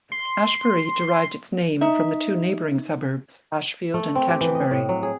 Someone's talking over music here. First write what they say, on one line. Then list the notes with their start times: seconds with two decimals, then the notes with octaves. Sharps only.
Ashbury derived its name from the two neighbouring suburbs Ashfield and Canterbury.
0.12 C6
1.81 D#4 E5
3.94 A3
4.15 C4
4.28 G4
4.41 E3
4.55 D#5
4.71 A2
4.89 F#3
5.03 G#4